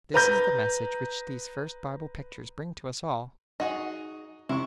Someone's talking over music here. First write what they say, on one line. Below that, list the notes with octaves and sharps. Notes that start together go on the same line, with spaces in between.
This is the message which these first Bible pictures bring to us all.
B4 A#5 G6
D#4 F#4 G#4 D#5
C3 E4 C#6